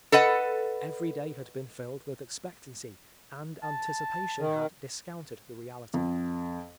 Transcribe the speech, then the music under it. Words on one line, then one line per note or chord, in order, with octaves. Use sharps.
Every day had been filled with expectancy, and anticipation had discounted the reality.
A4 B4 D#5 F#5
A5
D#3
F2